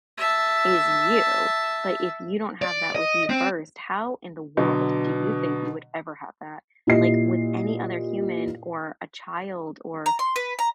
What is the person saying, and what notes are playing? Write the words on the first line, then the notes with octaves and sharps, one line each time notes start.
is you. But if you don't have that with you first, how in the world do you think you would ever have that like, with any other human or a child? Or,
E5 A5
D5
D#5
C4
B2 D3 F#3
A#2 E4 G4 D#5 C7
A#5
C6
B4
A#5